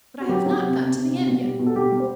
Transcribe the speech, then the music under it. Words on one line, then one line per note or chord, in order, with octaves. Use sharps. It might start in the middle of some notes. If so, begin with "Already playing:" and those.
But I have not got to the end yet.
F#4
F#3 G4
F#3
C3
C3
C3
C3
B2
G3
B2
A4
G3 G4
G3
C5